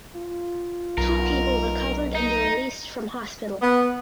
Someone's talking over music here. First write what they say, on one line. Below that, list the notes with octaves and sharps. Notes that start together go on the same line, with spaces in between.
Two people recovered and were released from hospital.
F4
B1 A#4
D#4
B3